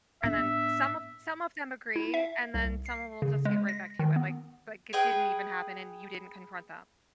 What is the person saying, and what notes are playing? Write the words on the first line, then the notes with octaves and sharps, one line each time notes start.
And then some of some of them agree, and then someone will just get right back to it, like like it didn't even happen and you didn't confront them.
A2 B3 D4 E5
E4
E5
C2
C7
C#3
G#3
A#6
D#3
B3
G#4 B4 D#5 G5